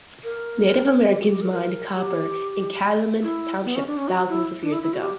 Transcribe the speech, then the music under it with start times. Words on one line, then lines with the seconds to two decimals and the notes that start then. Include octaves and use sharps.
Native Americans mined copper in Calumet Township thousands of years ago.
0.24 A#4
1.09 G4
1.20 F#4
1.31 G4
1.41 A#4
1.52 A#4
1.95 G4
3.23 E4
3.65 B3
3.76 C#4
3.87 D4
3.98 C#4
4.08 F#4
4.29 E4
4.62 D4
4.72 E4
4.83 E4
4.93 F#4
5.02 G4